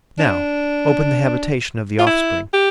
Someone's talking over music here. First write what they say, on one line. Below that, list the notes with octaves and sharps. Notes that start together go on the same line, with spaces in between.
Now open the habitation of the offspring.
D4
F4
E4
G4